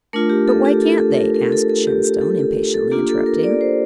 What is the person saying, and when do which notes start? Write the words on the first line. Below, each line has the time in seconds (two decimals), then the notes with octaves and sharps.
"But why can't they?" asked Shenstone, impatiently interrupting.
0.13 A3 D4 F4 A#4
0.30 G4
0.48 A4
0.65 G4
0.82 A4
0.99 A4
1.17 A#4
1.35 A#4
1.52 A4
1.70 A4
1.87 G4
2.04 G4
2.21 A4
2.39 A4
2.74 A4
2.91 A#3 D4 F4 G4
3.09 A4
3.26 A#4
3.43 D5
3.61 C5